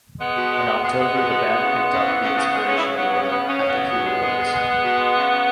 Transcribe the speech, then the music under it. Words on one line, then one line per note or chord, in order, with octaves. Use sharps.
In October the band picked up the Inspiration Award at the Q Awards.
G#3 B3
B2
G#3
G#3
G#3
G#3
B2
G#3
E3
C#3
G#3
C#3
E3
C#3
C#3
G#3
C#3 C#4
E4
F#3 C#4
F#3 B3
C#3 B3
C#4
C#3 B3
C#3
C#4
C#3
B3
F#3
B2 B3
G#3
G#3
G#3
G#3
G#3
B2
G#3
C#3
C#3